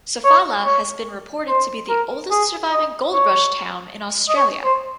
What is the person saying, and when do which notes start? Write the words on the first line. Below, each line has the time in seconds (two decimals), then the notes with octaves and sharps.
Sofala has been reported to be the oldest surviving gold-rush town in Australia.
0.24 C#5
0.65 C#5
1.48 C5
1.89 A#4
2.31 G#4
2.72 D#5
3.13 C#5
4.28 D#5
4.37 C#5
4.64 C5